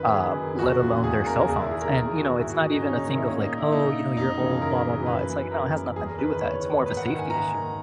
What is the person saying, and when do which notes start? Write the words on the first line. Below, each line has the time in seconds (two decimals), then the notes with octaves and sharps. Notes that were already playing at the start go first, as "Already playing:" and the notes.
uh, let alone their cell phones. And, you know, it's not even a thing of, like, "Oh," you know, "You're old, blah blah blah," it's like, no, it has nothing to do with that, it's more of a safety issue,
Already playing: F#2 D#3 B4
0.14 F#2 G#4
0.36 D#3
0.59 E2 F#4
0.81 C#3 E3
1.04 E2 G#4
1.26 C#3 E3 A#4
1.48 E2 G#4
1.60 E4
1.71 D#3 G#4
1.82 A#4
1.93 E2 G#4
2.16 D#3 F#4
2.38 G#2 E4
2.49 F#4
2.60 D#3 G#4
2.71 D#4
2.82 G#2 C#4
2.98 D#4
3.05 D#3
3.13 E4
3.28 A#2 C#4
3.42 D#4
3.58 E4
3.72 A#2 D#4
4.17 F#2 D#4
4.40 C#3 E3
4.61 F#2 A#4
4.85 C#3 E3
5.06 F#2 B4
5.29 E3
5.51 F#2 A#4
5.74 E3
5.96 E2 G#4
6.07 A#4
6.19 D#3 B4
6.30 B4
6.41 E2 C#5
6.64 D#3
6.86 G#2 B4
6.97 F#5
7.08 D#3 F#5
7.19 G#5
7.30 G#2 A#5
7.53 D#3